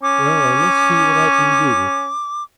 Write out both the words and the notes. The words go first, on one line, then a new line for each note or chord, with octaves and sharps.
Well, I must see what I can do.
C#4 D6